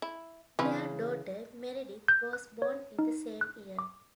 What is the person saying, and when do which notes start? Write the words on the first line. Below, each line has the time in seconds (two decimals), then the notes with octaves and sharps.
Their daughter Meredith was born in the same year.
0.02 E4
0.59 C#3 E3 C4 C#4 B4
2.08 G6
2.33 F#6
2.62 C#5
2.99 D#4
3.41 F#6
3.79 D6